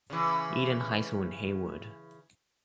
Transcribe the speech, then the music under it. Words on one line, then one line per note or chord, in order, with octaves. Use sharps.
Eden High School in Hayward.
C#3 E3